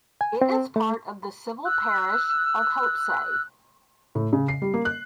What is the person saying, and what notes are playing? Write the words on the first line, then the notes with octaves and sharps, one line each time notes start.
It is part of the civil parish of Hopesay.
G#5
C4
A3
E6 F#6
A2
C#3
C7
G3
A#3
F#6